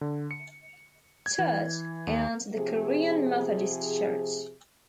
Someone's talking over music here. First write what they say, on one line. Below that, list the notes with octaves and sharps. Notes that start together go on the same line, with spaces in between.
Church and the Korean Methodist Church.
D3
C#7
G#6
E3
D#2
C3 F3 G#4